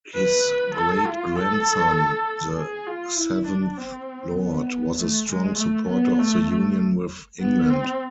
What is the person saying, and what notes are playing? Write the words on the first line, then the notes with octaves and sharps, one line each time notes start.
His great-grandson, the seventh Lord, was a strong supporter of the union with England.
B4
A4
F4
A4
G#4
F4
E4
D4
C4
B3
A3
G#3
A3
B3
A3
A3
B3
C4